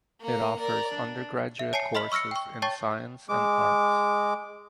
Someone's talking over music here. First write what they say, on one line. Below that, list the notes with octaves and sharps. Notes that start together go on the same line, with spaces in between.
It offers undergraduate courses in science and arts.
A#3 C#7
A#4 D5
D4
E5
C#5 G#5 A5 C7 C#7
D#5 B5 C6 F6 B6 F#7
C#6 E6 F6 A#6 C#7
G5 C#6
C#5 G5 A5 C#6 A6
G#3 D6